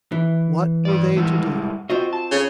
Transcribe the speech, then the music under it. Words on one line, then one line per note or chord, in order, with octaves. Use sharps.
What were they to do?
E3
G2 D5
G3 G#3 E4
C4 F4 F#4 D#5
A5
C#3